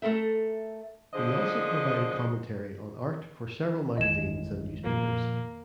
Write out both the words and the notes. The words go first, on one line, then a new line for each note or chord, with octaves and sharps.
He also provided commentary on art for several magazines and newspapers.
A3 A4 A#4 E5
D3 F3 G#4 C5 D#5
A1 F2 D#3 E3 G#3 D#5 G#6 E7
A#2 F3 A#3